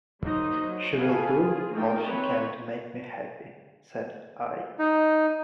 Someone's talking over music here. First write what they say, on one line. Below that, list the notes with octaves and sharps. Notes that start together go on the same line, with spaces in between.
"She will do all she can to make me happy," said I.
F#3 A#3 D#4 F#4 C5 D#5
F#3
G#4 A4 B4 F5 G#5
F4 G#4
A3 A#3 D#4 G5
C4 B4 C#5
D#4